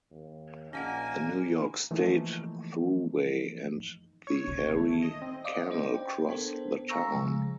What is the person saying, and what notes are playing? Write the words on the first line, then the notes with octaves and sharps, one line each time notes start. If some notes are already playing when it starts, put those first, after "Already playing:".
The New York State Thruway and the Erie Canal cross the town.
D#2
A#1 A#3 C#4 D#5 F#5 G#5
E3 F3 A3 A#3 D#4
C#5
D3 C#4
D#3 A3
D#5
C4
D5 D#5 F5 D6 D#6
C#4 C5
G5
B3 D4 A4 A#4 C5
F5 G#5 A#5 C#6 E6 A#6
C#3 F3 G#3